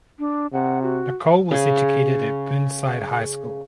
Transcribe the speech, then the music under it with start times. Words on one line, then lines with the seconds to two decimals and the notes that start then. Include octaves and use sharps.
Nicole was educated at Burnside High School.
0.19 D4
0.53 C3 F#5
0.82 F#4
1.51 C#3 G#4